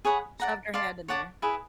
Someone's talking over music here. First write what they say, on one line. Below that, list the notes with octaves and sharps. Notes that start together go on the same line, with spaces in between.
Shoved her hand in there.
G#4 C#5 F#5 B5
D5 F#5 A#5
D5 F5 A5 C6
C#5 F#5 A5 D6
E4 G#4 B4